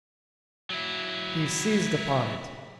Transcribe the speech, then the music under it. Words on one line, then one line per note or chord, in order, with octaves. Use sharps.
He seized upon it.
F#3 E4